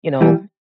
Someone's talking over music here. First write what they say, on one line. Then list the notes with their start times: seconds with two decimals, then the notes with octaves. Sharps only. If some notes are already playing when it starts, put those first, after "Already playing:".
you know,
0.21 E3 G3